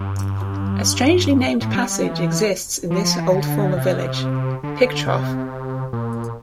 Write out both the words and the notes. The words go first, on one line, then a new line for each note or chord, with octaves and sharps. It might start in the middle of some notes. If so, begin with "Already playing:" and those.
A strangely named passage exists in this old former village - "Pig Trough".
Already playing: G2
A2
G3
G3
E3
F3
F3
E3
D3
C3
D3
C3
A#2